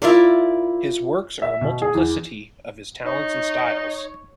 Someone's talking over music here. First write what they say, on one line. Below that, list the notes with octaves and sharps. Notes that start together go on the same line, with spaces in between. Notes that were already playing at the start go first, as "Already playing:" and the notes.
His works are a multiplicity of his talents and styles.
E4 F4 A#4 D5
E5
B2
G#4
E2
D#4 C#5